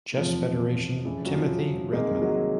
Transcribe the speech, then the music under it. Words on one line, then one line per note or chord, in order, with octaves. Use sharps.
Chess Federation, Timothy Redman.
F1 E2 C3 F3
F1 E2 C#3 E3
F#3
F3
C2 C3 D#3 G#3 A#3
F#3 G#3